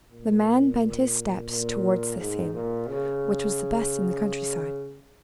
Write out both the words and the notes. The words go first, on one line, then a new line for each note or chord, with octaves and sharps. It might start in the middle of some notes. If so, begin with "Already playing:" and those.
The man bent his steps towards this inn, which was the best in the country-side.
A#2
A#2
G#2
A#2
C#3